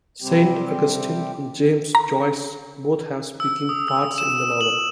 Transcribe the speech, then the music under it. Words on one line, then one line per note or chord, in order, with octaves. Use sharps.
Saint Augustine and James Joyce both have speaking parts in the novel.
C3 G3 C4 G4
A#5
E6
D#6
E6
E7
F#7